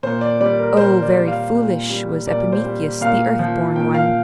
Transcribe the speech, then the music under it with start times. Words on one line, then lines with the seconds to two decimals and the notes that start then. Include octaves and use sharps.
Oh, very foolish was Epimetheus the Earth-born One!
0.03 A#2 C5
0.21 D5
0.40 G3 D5
0.59 A#4
0.77 A#2 C5
1.02 D5
1.15 G3
1.28 F5
1.52 A#2
1.89 G3
2.27 A#2 D5
2.52 C5
2.64 G3
3.01 A#2 F5
3.39 F3
3.76 A#2 G5
3.94 F5